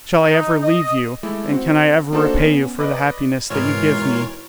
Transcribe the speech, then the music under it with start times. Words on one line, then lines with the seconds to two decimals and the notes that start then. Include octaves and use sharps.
Shall I ever leave you, and can I ever repay you for the happiness that you give me?
0.23 D#4
0.61 D#5
1.23 G#3 A3 E4 A4 D6
1.49 C4 F#4
2.12 A#3 D4 D#4 F#4 A4 C5
2.35 B3 C#4
2.79 B4 D5 D#5
3.50 E2 G#2 B2 E3 F4 A#4 C#5